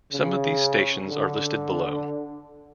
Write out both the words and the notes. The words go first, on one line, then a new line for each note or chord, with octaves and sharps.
Some of these stations are listed below.
C#3
D3